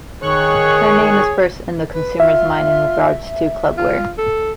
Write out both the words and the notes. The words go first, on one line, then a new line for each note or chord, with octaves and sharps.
Her name is first in the consumers mind in regards to club wear.
D#3 G#4 C#5 C#6 F#6
B4
F4 E5
F4
A4